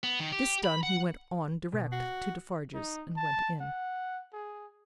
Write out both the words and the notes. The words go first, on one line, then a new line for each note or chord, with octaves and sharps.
This done, he went on direct to Defarge's, and went in.
B3
D#3
G4
B5
F#5
B2
F#4 C7
D#4
A5
F#5
G#4